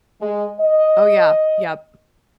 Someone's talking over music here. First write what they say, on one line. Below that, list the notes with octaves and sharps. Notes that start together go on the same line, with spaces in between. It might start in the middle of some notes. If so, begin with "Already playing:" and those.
Oh yeah, yep.
G#3
D#5